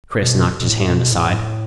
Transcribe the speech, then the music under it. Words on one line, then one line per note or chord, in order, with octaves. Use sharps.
Chris knocked his hand aside.
B2
B2
A2
B2
A2
G2
A2